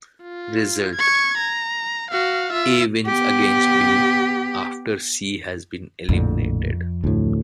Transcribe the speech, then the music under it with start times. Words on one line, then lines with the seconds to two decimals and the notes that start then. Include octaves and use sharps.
Result: A wins against B, after C has been eliminated.
0.23 F4
0.95 C#6 G#6
1.38 A#5
2.11 F#4 F5
2.52 F4 E5
3.07 B3 G4
6.09 A#1 F2 A2 D3
7.04 D2 A2